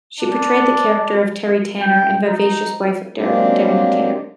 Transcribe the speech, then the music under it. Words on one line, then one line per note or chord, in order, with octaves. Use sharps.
She portrayed the character of Teri Tanner, the vivacious wife of Danny Tanner.
D4
G5
D#4
F#3 G#3 A#3 C4 D4 G4